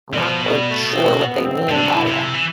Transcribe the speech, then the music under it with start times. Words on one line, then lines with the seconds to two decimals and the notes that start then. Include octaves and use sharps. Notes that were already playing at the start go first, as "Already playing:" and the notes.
I'm not quite sure what they mean by that.
0.13 C3 G3
0.19 B2 F3
0.44 G3
0.69 A3
0.83 B3
0.94 C4
1.19 B3
1.44 C4
1.69 C3 D4
1.77 D3
1.86 C3
1.94 E4
2.07 C3
2.34 E3